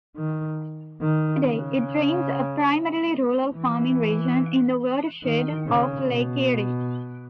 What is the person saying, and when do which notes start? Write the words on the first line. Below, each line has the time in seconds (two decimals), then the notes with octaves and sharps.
Today, it drains a primarily rural farming region in the watershed of Lake Erie.
0.16 D#3
1.01 D#3
1.43 C#3
3.55 E3
5.24 D#3
5.66 C#3
6.08 B2